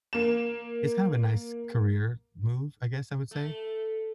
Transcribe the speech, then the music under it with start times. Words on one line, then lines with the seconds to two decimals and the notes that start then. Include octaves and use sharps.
it's kind of a nice career move, I guess, I would say.
0.13 A#3 E7
3.31 A3